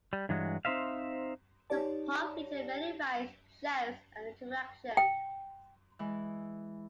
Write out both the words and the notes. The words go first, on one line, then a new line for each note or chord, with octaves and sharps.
The park featured many rides, shows, and attractions.
G3
G2 E3 F#3 G#3
C4 D#4 C5 E5 F5
D#4 G4 C#5 D5 A5
G5
E3 G#3